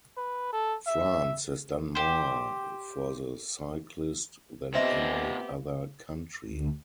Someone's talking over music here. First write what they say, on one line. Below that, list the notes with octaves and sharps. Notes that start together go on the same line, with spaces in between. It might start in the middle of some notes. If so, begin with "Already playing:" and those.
France has done more for the cyclist than any other country.
B4
A4
E5
G4 C5
A#2 B3 C4 G4 D#5 E5
D2